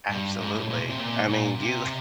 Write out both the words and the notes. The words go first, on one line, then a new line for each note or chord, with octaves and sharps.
Absolutely. I mean, you
G2
G#2
A2
A#2
B2
C3
A#2
A#2
C3